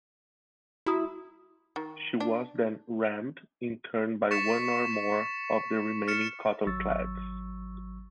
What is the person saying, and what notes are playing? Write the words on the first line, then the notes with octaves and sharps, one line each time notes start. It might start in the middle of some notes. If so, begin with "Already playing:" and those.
She was then rammed in turn by one or more of the remaining cottonclads.
E4 F#4 A#5 D#6
D#3
D4
C#6 A6 B6 C#7 E7
F6 A6 C#7 E7
G#1 F#3 C#6 E6 A6